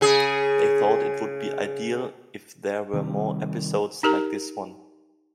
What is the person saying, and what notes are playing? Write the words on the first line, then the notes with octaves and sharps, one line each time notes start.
They thought it would be ideal if there were more episodes like this one.
C#3 G#4
C3 D#3 G3
D#4 G4 A#4 A#5